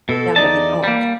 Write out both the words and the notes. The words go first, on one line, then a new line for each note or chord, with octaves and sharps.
down to the Gulf
B2 A4
E2 D#4 D5 A5
G3 A#3